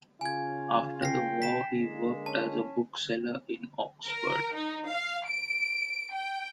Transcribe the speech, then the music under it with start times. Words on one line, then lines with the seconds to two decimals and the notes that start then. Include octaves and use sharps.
After the war, he worked as a bookseller in Oxford.
0.21 C#3 C#4 F4 G#5 G#6
1.02 G5 A#6 C7
1.42 B6 E7
1.75 D3 G#3 A#3
2.26 C#4 A5
4.05 A#4
4.53 D#4
4.87 F5
5.27 D7
6.13 G5